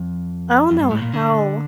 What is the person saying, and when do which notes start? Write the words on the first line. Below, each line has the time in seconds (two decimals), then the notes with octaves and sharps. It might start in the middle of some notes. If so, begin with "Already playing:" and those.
I don't know how
Already playing: F2
0.71 F2
0.80 G2
0.90 A2
1.02 A#2
1.14 D3